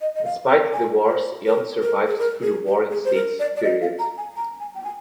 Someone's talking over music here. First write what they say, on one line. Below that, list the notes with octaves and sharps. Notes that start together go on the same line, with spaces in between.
Despite the wars, Yan survived through the Warring States period.
D#5
D#5
F5
G5
G#5
C5
A#4
A#4
G#4
A#4
G#4
G4
G#4
C5
A#4
D5
D5
D#5
F5
A#5
G#5
A#5
G#5
G5
G#5